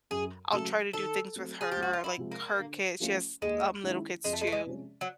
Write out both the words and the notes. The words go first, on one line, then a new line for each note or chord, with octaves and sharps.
I'll try to do things with her, like, her kids she has, um, little kids, too.
F#2 G#4
C#3 F#3 A3 A4
D#3 A4
F#3 A3 C4
G#4
C#2 G4
F#4
F4
E4
C3 F3 G#3
A#3
D3
F3 A3 C#4 F4
D#2 G#3
D#3 G#3 C#4 E4
F2 G#3
A3
G#3
A3
G#3
C3 F3 G#3 C#4
F#3